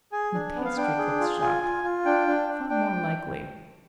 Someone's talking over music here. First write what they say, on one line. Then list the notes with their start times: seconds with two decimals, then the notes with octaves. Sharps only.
In a pastry-cook's shop? Far more likely.
0.12 G#4 G#5
0.34 D4
0.55 B3
0.65 F5
0.77 D4 G5
0.98 G#4
1.20 F4
1.41 F4 G#5
1.63 F4
1.84 F4
2.05 D4 G5
2.27 D4
2.49 D4
2.69 D4 G5